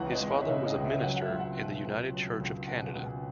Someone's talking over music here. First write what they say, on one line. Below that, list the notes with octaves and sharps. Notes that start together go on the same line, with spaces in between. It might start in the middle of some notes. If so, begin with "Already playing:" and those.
His father was a minister in the United Church of Canada.
Already playing: C#2 C#3 E3 F#5 A#5 C#6
D#5
G#3
C#5
E5
C#3 D#5
D#5
C#2
E5
F#3 F#5
F#5
E5
C#2
F#5
B2
C#2
F#3
C#2
B2 F#5
F#5
C#2
G#5